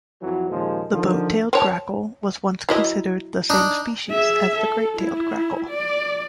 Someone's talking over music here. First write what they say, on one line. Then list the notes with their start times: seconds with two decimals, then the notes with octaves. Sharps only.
The boat-tailed grackle was once considered the same species as the great-tailed grackle.
0.22 F2 E3 F#3
0.51 D#2 A#2 C#3 F3 G#3
0.92 D3 D#3 F3
1.53 C4 C#5 A5
2.69 F#3 E4 D#5
3.50 D4 D#4
4.08 G#4 E5
4.57 A4
4.97 E4
5.69 D5